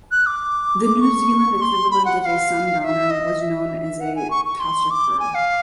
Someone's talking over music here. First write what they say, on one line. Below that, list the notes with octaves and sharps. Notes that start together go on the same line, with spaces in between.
The New Zealand equivalent of a sundowner was known as a "tussocker".
F#6
D6
C#6
C6
B5
F#5
F#5
F5
F5
E5
D#5
E5
F#5
G#5
C#6
C#6
C6
D6
G#5
F5